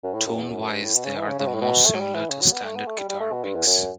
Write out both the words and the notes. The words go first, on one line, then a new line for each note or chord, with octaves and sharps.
Tone wise, they are the most similar to standard guitar picks.
F#2
A2
F#2
E2
F#2
F#2
G2
A2
B2
C#3
E3
C#3
C#3
B2
A2
B2
A3
F#3
G3
E3
C#3
F#3
B3
A3
B3
A3
G3
G3
A3
B2
G2
E2
F#2